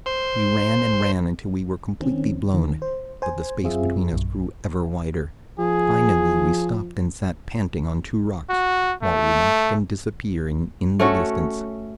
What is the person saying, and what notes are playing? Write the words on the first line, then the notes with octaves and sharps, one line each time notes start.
We ran and ran until we were completely blown, but the space between us grew ever wider. Finally we stopped and sat panting on two rocks, while we watched him disappearing in the distance.
C5
D#3 C4 C#4
D#3
C5
C5 G#5
F#2 C4 F4 G#4 E5
A#1 F#2
F3 G#4
F#4
A3
A3 C#4 F#4